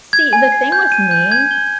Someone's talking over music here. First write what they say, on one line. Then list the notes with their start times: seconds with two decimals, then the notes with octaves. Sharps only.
See, the thing with me
0.13 G#6
0.33 G#5
0.52 C7
0.72 G6
0.92 D#7
1.11 G6
1.32 G#6
1.51 G7